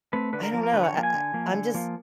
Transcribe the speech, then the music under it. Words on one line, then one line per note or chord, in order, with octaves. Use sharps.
I don't know, I I I'm just
A3 C4 B4
D3 B4
A#4
F3 A#3 A#4
A#4
D3 B4
C#5
F3 A#3
G#5
D3
F3 A#3
D3
F3 A#3